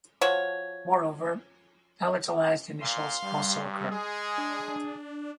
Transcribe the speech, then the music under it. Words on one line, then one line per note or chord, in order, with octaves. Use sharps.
Moreover, palatalized initials also occur.
F3 F#4 C#5
A#2 F5 C6
G2 G3
G#3 G#4
D4